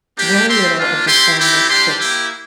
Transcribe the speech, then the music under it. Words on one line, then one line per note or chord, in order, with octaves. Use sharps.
Very little of the film was scripted.
A#3 D4 G4
G3 C4 G4 C6
A#3 D4 F4
C4 E4 G4 C6
A3 C4 E4 G4
G3 D4 G4 C6
A#3 E4 G4